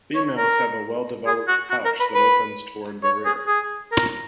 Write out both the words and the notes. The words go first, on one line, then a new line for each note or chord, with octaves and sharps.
Females have a well-developed pouch that opens toward the rear.
C#5
A#4
G#4
F#4
F#4
A#4
B4
B4
C#5
G#4
G#4
A#4